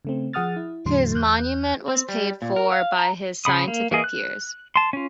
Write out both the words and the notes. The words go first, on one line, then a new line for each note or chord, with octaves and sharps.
His monument was paid for by his scientific peers.
C#3 A3 C4
F3 G#4 F#5 D#6 F6 A6
E4
E2 A2 D3 F#3 C6
E2 F#6 G6
C4
G3
A#2
A#4
F5
A#5
C#3 B5 D#6
A#3
E3 A#3 G#4 D#5
F#6
A5 C6
C#4 F4